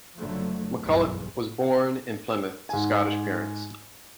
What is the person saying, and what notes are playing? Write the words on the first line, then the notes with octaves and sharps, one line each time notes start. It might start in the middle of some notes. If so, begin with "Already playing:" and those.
McCulloch was born in Plymouth to Scottish parents.
F#1 F#2 D3 F3 F#3 A3
F#1 B1 E2 G2
G#2 G#5